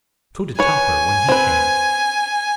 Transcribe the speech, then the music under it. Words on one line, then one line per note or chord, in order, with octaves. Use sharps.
So did Topper when he came.
B4 C#5 G#5
C4 B4